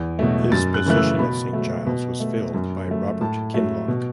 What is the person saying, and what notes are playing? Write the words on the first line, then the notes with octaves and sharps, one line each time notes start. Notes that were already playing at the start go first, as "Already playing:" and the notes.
His position at St Giles was filled by Robert Kinloch.
Already playing: E2
B2 F#3 A3
F#2 A6
F#6
C#3 E3 A3 F#6
E6
B2 B5
F#3 A3
B2
A3
F#2
F#3 A3
A2 A5
F#3 A3
B2